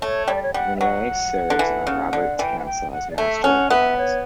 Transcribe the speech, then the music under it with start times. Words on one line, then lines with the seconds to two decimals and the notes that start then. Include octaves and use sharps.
Renly serves on Robert's council as Master of Laws.
0.01 A3 C#5
0.27 G3 C#5
0.35 D5
0.43 C#5
0.54 G3 F#5
0.76 E5
0.80 F#3 F#5
1.50 D3
1.59 E3
1.87 C#3
2.13 D3
2.38 E3 G5
2.59 F#5
2.66 G5
2.92 F#5
3.11 D5
3.18 A3 E5
3.44 C#4 F#5
3.70 B3 E5
3.97 C#5